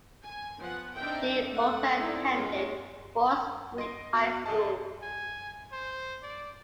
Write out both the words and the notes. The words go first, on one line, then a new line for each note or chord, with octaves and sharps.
She also attended Fort Street High School.
G#5
F3 B3 F#5
C4 D4 D#4 E5 G5
A3 F#5
A3 C4 D#4 E4 A4 D5
G#3 A#3 C#4 D#4 F4
D#5 C6 D7
B3 F#4 F#6
C2 G#4 D#5 E5 A5
G#5
C5
D5